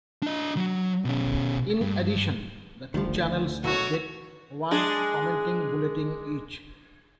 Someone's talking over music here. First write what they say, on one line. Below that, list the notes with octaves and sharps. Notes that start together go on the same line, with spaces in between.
In addition, the two channels would get one "commenting bulletin" each.
D4 D#5
F#3 F#4
B2 C#4
G2
D2 D#3 F3
B2 F#3 A3 F#4 C#5
G#3 D4 G#4